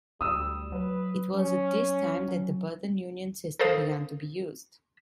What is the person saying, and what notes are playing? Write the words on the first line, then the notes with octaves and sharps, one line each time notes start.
It was at this time that the Burton Union system began to be used.
D2 G3 D#6 E6
F#3 B4
C#4
F#3
A4 A#4 C5 F5 D#6